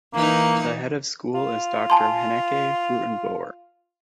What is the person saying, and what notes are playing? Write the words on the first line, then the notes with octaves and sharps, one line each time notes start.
The Head of School is Doctor Hanneke Grootenboer.
E3 A#3 D#4
F4
G#5 A5 C6